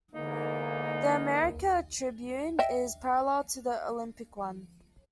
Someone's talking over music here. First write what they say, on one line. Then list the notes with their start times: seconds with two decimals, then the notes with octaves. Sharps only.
The "America" Tribune is parallel to the" Olympic" one.
0.15 E2 G#2 D3 A#3 D#4
2.59 D#5 E5 G5